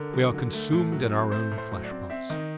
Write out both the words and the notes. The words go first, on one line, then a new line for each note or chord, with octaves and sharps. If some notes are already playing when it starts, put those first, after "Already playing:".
We are consumed in our own flesh-pots.
Already playing: D3 A#4
F#3
D3
A3
A2
F#3
C4
A3 C5
A2
C5
F#3
D5
C4
C4 E5
D#3 D#5